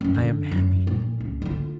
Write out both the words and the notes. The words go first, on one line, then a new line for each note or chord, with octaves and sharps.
I am happy.
F#2 C#4
D3
F#2
A#2
C#2
D3 F4